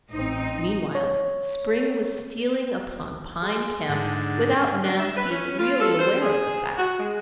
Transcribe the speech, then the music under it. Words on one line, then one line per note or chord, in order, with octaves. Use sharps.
Meanwhile spring was stealing upon Pine Camp without Nan's being really aware of the fact.
A1 C4 D#4
C#5
G#3
G#2 D3 F#5 A5
D4
E5
B4
C#4
F4
A4
C5
G#4
F#4
G#3